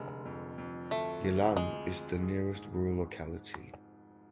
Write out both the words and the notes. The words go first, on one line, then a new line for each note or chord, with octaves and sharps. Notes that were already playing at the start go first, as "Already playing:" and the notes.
Yelan is the nearest rural locality.
Already playing: F1 D3 G#3
F2
F2
D2 A3
D2
F3 G#3
F3
G#4
G#2